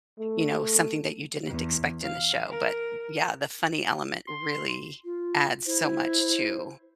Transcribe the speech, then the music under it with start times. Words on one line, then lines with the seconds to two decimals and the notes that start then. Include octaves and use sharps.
you know, something that you didn't expect in the show. But, yeah, the funny element really adds so much to
0.18 A3
1.47 E2
2.01 F5
2.50 A#4
4.28 C6
5.05 F4
5.66 E4 C5